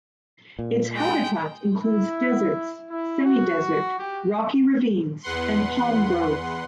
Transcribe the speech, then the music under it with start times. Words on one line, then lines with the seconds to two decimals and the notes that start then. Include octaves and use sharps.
Its habitat includes desert, semi-desert, rocky ravines, and palm groves.
0.59 A#2
0.92 G#3 G5
1.85 E4
2.91 E4
3.26 F#4
3.99 G4
5.22 E2 B4 F#5 C6